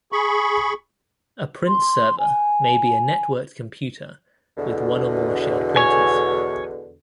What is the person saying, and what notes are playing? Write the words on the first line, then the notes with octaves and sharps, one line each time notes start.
A print server may be a networked computer with one or more shared printers.
G#4 B5 C#6
C6
G#5
E2 B2 D3
C#5 G#5